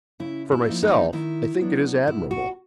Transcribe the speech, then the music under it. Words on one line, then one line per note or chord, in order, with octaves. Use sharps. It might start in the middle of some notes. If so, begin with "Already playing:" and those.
For myself, I think it is admirable.
C#3 E4
E4
F3 A#3 D#4
D#4
D#3 E4
F#3 B3 D4
B2 E4
F#4